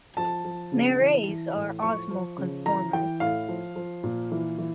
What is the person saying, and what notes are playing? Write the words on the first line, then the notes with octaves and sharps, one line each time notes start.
Nereis are osmoconformers.
F3 A5
F3
C#3
E3
E3
A2
F3 C#6
F3
C#3
E3 A#5
E3 G5
A2 F5
F3
F3
A#2
E3
E3